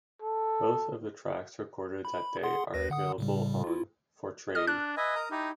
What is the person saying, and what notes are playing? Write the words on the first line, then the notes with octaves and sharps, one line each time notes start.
Both of the tracks recorded that day are available on "For Trane".
A4
B5
G#4 F#5 C6
D#2 B4 A#6
D3 F#5 D#6
A2 C#3 G3
E4 F4
D#5 F6
D4 F#6
B4 D#5 E5 G#5
A#4 A#5 D#6
D#4 E4 G4